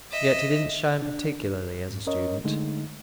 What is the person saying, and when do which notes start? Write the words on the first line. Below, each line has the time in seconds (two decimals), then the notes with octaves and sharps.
Yet he didn't shine particularly as a student.
0.11 D#5 E5
1.02 D4
1.91 G#2
2.07 C#4 A#4 C#5 D#5
2.44 D3 G#3 A3 D#4